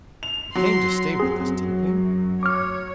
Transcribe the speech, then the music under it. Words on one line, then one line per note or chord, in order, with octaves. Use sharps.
"You came to stay with us, didn't you?"
F7
F#3 C6
F#2 C4 G#4
C#5 D6 F6